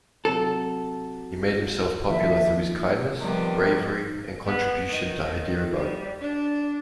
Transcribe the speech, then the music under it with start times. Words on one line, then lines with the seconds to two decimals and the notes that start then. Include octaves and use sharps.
He made himself popular through his kindness, bravery and contribution to Hyderabad.
0.25 C3 F#3 A4
2.08 D#3 F3 A#3 E5
3.17 C3 D#3 F3 G3 B3
4.45 B3
4.90 D#3
5.75 G3
6.21 D4